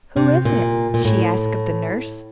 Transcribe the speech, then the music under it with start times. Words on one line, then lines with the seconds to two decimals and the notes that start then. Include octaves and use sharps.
"Who is it?" she asked of the nurse.
0.16 C3
0.45 A#2
0.94 A#2
1.05 A2